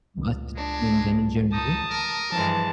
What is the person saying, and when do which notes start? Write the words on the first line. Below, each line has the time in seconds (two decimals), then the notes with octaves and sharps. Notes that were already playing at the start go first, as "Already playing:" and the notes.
um, us as humans and in general,
0.17 C#2
0.56 G#3 D4
1.52 D#4 A5 D#6
1.90 A#4
2.32 G2 E3 F3 G#3 A5